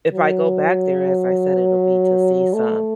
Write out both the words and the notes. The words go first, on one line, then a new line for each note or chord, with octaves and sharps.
if I go back there, as I said, it'll be to see some
F#3
A3